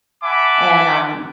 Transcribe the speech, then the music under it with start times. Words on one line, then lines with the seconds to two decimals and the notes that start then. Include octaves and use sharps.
and, um,
0.24 E5 F#5 G#5 A5 B5 D6